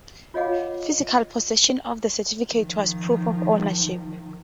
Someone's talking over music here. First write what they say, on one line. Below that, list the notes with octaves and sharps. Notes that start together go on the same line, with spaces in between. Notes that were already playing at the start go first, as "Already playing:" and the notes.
Physical possession of the certificate was proof of ownership.
F4 C#5 D#5 F5 F#5 D6
D#3 F3